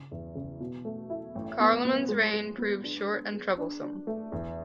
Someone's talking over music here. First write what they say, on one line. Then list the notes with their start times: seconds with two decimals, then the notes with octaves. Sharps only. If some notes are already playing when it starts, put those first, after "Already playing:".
Carloman's reign proved short and troublesome.
Already playing: C#3
0.11 E2
0.35 C#3
0.60 B2
0.85 A3
1.10 E4
1.35 A1
1.60 B3
1.85 B3
2.09 G#3
2.34 G#3
2.58 B3
2.84 D4
3.08 D4
3.33 G#4
3.58 D4
3.83 D4
4.07 A3
4.32 E2